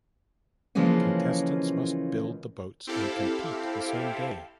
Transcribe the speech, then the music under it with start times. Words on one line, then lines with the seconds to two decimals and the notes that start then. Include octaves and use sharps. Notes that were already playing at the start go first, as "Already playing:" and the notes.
Contestants must build the boats and compete the same day.
0.75 C#3 E3 F3 G#3 A#3 C#4
2.87 C4 E4 G4 A4 F5